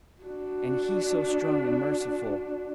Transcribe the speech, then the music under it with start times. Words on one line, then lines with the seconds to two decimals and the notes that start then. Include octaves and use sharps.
And He so strong and merciful.
0.22 D4 F#4